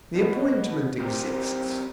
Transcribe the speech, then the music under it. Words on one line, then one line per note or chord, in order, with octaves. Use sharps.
The appointment exists.
B2
C4 G4 A#4 C5